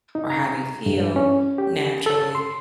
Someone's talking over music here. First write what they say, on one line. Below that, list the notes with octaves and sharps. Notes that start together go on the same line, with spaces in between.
or how they feel, naturally.
D#4
A#5
G2
C#4
G4
A4
C6